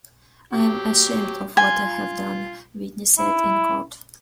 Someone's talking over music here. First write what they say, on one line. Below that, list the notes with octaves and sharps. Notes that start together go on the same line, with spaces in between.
"I'm ashamed of what I have done", Wheatley said in court.
F#3 G4
F4 G#5 C6
F4
E4